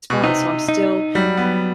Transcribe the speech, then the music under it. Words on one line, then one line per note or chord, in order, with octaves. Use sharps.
respond, so I'm still,
B2
C3 D#4
D#4
F#3 G3
B3